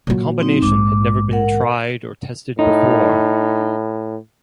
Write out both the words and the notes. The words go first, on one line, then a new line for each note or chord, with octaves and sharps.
The combination had never been tried or tested before.
A#2 F#3
C4 D#4
A#1 G#2 D6
A#4 F#5
A2 D#4